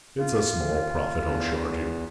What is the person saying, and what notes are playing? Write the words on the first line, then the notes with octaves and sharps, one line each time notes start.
It's a small profit I'll charge you.
F4
E2